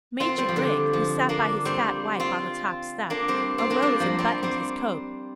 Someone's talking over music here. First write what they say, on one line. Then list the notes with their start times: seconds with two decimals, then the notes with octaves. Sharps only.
Major Grigg, who sat by his fat wife on the top step, arose and buttoned his coat.
0.20 C4 F4
0.38 G3 C4
0.48 F3
0.56 D3 G3
0.93 F3
1.29 A#3 D4
1.65 G3 C4
2.20 C4 F4
3.10 A#3 D4
3.28 G3 C4
3.58 C4 F4
3.70 A#3 D4
3.82 G3 C4
4.00 F3 A#3
4.19 G3 C4
4.43 G3 C4